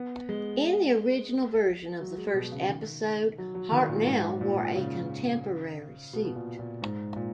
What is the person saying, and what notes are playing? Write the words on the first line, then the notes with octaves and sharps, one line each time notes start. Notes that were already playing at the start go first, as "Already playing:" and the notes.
In the original version of the first episode, Hartnell wore a contemporary suit.
Already playing: B3
G#3
F#3
G#3
B2
C#3
D#3
F#3
F#3
D#3
A#2
G#2
A#2
C#3
B2
B2
A#2
A#2
G#2
A#2